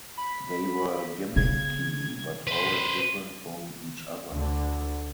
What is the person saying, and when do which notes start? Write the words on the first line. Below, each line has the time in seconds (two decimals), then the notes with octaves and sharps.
They were gimmicky but always different from each other.
0.17 B5
1.36 C#3 B3 G#6
2.47 B4 C5
4.31 D2 D3